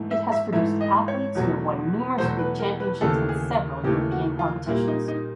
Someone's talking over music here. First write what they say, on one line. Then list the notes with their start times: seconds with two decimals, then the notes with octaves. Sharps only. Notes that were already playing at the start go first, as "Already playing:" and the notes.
It has produced athletes who have won numerous Greek championships and several European competitions.
Already playing: G#2 E3 A3
0.11 E5
0.32 E5
0.52 G#2 E3 A3 E5
0.81 D#5
1.08 C#5
1.35 E2 B2 F#3 A3
2.18 E2 B2 F#3 A3 C5
2.39 B4
2.59 A#4
2.80 B4
3.01 D#2 C#3 E3 A3 A4
3.29 G#4
3.84 D#2 C#3 E3 A3 G4
4.12 F#4
4.39 F4
4.66 A#2 G3 A#3 E4
4.88 D#4
5.08 D#4